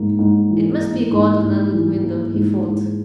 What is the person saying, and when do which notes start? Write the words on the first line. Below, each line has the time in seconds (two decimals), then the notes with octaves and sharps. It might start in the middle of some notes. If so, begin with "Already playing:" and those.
"It must be a garden under the window," he thought.
Already playing: G#2 A#3
0.19 G#2
0.50 E3
0.80 A#3
1.11 G#2
1.41 G#2
1.72 E3
2.02 A#3
2.33 G#2
2.64 G#2